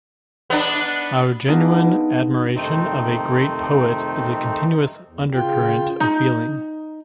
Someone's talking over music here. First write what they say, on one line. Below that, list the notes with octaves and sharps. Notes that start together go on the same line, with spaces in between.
Our genuine admiration of a great poet is a continuous undercurrent of feeling.
B3 D4
B3 D4 D#4 F4 G#4
F2 C3 D#3 A3 C4 D#4
E2
C#3 F4 G5
D#4